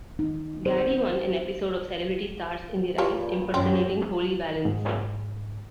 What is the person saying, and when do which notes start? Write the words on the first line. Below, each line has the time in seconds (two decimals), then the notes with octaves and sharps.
Ghadie won an episode of "Celebrity Stars in Their Eyes" impersonating Holly Valance.
0.19 D#4
0.66 C5
2.98 G2 A#2 F4 G4 C#5
3.54 F#2 C4 C#4
4.65 G#2